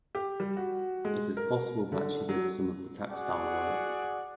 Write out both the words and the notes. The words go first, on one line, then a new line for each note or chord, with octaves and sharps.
It is possible that she did some of the textile work.
G4
G3
F#4
G#3
A#4
D3
F#3
F#4 G#4 D5 F#5